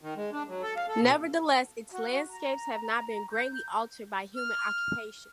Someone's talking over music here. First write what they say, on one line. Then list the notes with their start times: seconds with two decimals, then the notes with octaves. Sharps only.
Nevertheless, its landscapes has not been greatly altered by human occupation.
0.01 D#3
0.17 G#3
0.33 D4
0.48 F#3
0.62 A4
0.76 F5
0.88 A4
1.01 B2
1.91 F#4
2.30 A#5
3.31 G6
4.36 F6